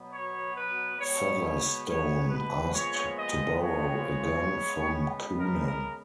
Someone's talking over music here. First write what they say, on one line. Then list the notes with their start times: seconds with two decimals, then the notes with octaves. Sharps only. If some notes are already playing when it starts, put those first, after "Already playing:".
Featherstone asked to borrow a gun from Coonan.
Already playing: B2 F#3 B3
0.11 C#5
0.54 B4
0.97 B2 G#3 B3 C#5
1.42 C#5
1.85 C#5
2.28 B4
2.73 A#2 F3 G#3 B3 C#5
3.16 D#5
3.60 C#5
4.48 C#3 G#3 B3
5.36 A#4
5.64 A#4